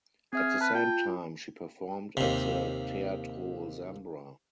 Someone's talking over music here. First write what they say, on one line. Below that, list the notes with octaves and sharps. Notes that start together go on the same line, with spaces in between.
At the same time she performed at the Teatro Zambra.
C4 G#4 E5 F6
B4 A5
F4 G5
D#2 C3